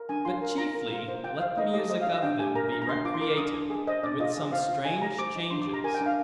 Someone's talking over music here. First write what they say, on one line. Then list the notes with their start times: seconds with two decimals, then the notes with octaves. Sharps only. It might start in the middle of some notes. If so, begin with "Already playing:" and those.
But chiefly, let the music of them be recreative, and with some strange changes.
Already playing: A#4
0.09 D4 G#5
0.25 F4 C6
0.42 A#4
0.58 F4 A#5
0.75 A#4
0.91 F4
1.08 C5
1.24 F4 G5
1.40 C5 F5
1.57 D#4 D#5
1.73 G4 D#5
1.89 C5 D#5
2.01 F5
2.06 D#4 D#5
2.23 D4 G5
2.39 G4 G#5
2.55 A#4 A#5
2.72 D4 A#5
2.82 A#5
2.88 D4 C6
3.05 F4 D6
3.14 C6
3.21 A#4 D6
3.37 D4 D#6
3.54 D4
3.70 G#4
3.87 C5 D#5
4.03 D4 D5
4.20 F4 D#5
4.36 G#4
4.52 C5 F5
4.68 F4
4.85 D#4 G#5
5.02 G4 A#5
5.19 C5 D6
5.35 D#4
5.51 D4 C6
5.62 D6
5.67 G4
5.73 A#5
5.84 A#4 G#5
5.94 G5
6.01 D4
6.06 F5